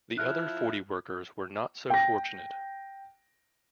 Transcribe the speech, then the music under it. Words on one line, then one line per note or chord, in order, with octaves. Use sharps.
The other forty workers were not so fortunate.
F3 E4 F4 F6 F#6
G5 A#6